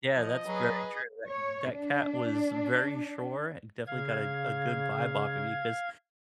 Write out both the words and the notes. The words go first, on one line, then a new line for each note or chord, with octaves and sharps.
Yeah, that's very true. That that cat was very sure, and definitely got a a good vibe off of you 'cause
F3 D#5
F#3 G#4 B4
C#5
D4
C#3 F5 G#6